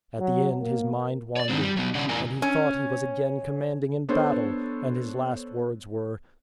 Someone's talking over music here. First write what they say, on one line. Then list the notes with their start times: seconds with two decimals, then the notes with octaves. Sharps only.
At the end his mind wandered, and he thought he was again commanding in battle, and his last words were.
0.20 F#3
0.61 A#3
1.36 C#5 D5
1.49 D3 D#3 G#3 C4
1.62 G3
1.76 F#3 B3
1.95 C#3 C#4 D5 F#5
2.09 E2 A2 A#4 D5 G#5
2.42 C#4
4.09 B3 D4 A4 C5 C#5